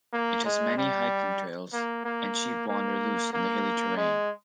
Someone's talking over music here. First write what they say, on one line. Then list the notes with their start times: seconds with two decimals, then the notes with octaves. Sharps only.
It has many hiking trails, and sheep wander loose in the hilly terrain.
0.13 A#3
0.45 G#3
0.78 G3
1.73 A#3
2.05 A#3
2.69 A#3
3.33 A#3
3.97 G#3